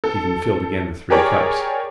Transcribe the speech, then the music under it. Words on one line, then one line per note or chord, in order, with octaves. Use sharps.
Stephen filled again the three cups.
A4
G4 G#4 A#4 C#5 D5